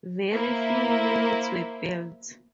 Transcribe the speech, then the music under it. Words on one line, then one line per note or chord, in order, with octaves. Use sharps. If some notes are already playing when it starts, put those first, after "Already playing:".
Very few units were built.
A#3 E4 C5 E5